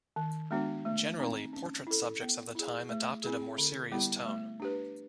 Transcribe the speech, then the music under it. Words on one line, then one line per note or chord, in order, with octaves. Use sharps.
Generally, portrait subjects of the time adopted a more serious tone.
D#3
G#3 B3 D4 F#4
A3
C4 D#4
C#4
E4 A4
B3
E4 G#4
A3
C4 E4 G#4
D3
G3 B3 E4 G4
A3
D4 G4 B4